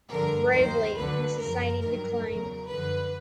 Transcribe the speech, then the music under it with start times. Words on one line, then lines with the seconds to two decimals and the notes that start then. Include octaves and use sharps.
Bravely, the society declined.
0.10 G2 D3 F3 A#4
0.53 D#2 D#3 F#3 C5
0.95 D2 D3 F#3 B4
1.39 F#2 C#3 F3 A#4
1.82 G2 D#3 F#3 A#4
2.25 E2 C#3 F#3
2.68 F#2 D3 F3 B4